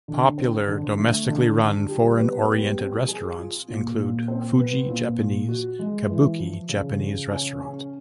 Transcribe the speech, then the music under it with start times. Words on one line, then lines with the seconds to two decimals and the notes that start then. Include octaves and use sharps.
Popular domestically run foreign oriented restaurants include Fuji Japanese, Kabuki Japanese Restaurant.
0.08 D3
0.38 C4
0.68 D3
0.98 A3
1.28 D3
1.58 D3
1.88 G3
2.18 B3
2.48 G3
2.78 C4
3.08 G#4
3.39 F4
3.68 A#2
3.98 A#2
4.28 C4
4.58 B3
4.89 A#2
5.19 A#2
5.48 F#4
5.79 G#3
6.09 E3
6.39 F3
6.69 C#3
6.99 C#3
7.29 C#4
7.60 C#4